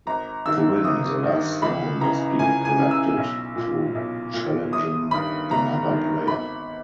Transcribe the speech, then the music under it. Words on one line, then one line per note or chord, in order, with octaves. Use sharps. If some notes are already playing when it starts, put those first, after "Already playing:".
To win, the last stone must be collected through challenging another player.
G#1 A#5
G2 D#3 E6
G#1 D#6
G2 D#3
C#2 B5
C#3 E3 A#5
C#2 G#5
G#5
C#3 E3
E6
B1
A#2
B1
A#2
G1 D#6
G2 D#3 B5
G1 A#5
G2 D#3
G#1 B5